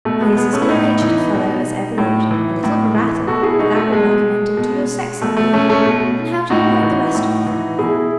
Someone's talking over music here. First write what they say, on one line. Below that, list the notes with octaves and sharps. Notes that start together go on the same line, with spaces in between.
"He is as good-natured a fellow as ever lived; a little of a rattle; but that will recommend him to your sex, I believe: and how do you like the rest of the family?"
B2 A3
G#3 B3
G#3 B3
A3 C#4
E4
A2 B3 D#4
E3
B2
A2
E3
A2
E3
B2 F#4 A4
E4 G#4
D#4 F#4
A3
B2 G#3
B2
B2 A3
A3
A3 C#4
A3 C#4
B2
A2 D#4 F#4
E3
A2
E3
B2 E4 G#4